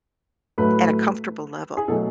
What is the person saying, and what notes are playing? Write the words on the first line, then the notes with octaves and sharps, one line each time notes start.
at a comfortable level.
A2 F#3 A3 B4
G#4
B2 F#3 A3 A4